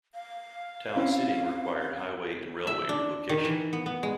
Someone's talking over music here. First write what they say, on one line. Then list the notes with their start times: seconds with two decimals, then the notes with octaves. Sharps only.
Town sitting required highway and railway relocation.
0.14 F5
0.96 C4 C#4 E4
2.67 E5
2.89 D4
3.29 D#3
3.45 E3
3.73 B3
3.86 B3
4.03 G#3